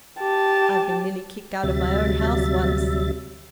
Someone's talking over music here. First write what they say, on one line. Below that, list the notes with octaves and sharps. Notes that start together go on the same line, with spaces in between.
I've been nearly kicked out of my own house once.
G4 A5
D2 C3 F#3 G3 E5 A6